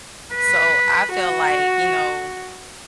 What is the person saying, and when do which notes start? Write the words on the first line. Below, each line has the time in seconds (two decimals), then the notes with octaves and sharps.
So I felt like, you know,
0.34 B4
1.14 F#4